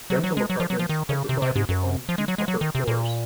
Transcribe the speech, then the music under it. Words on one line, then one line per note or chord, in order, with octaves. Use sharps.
Rental apartments are provided on the upper floors.
F#3
F#3
G#3
F#3
F3
F#3
F3
D#3
C#3
C3
C3
G#2
F#2
F3
G#3
F#3
G#3
F#3
D#3
C3
A#2